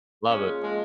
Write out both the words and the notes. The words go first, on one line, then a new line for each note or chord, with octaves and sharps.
Love it.
A#2 G#3 C#4
F3 G#3